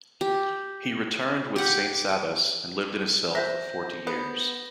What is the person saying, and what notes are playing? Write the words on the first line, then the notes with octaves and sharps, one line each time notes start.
He returned with Saint Sabas and lived in his cell for forty years.
G4
G4 F#5
C5 E5 G6 A#6
B3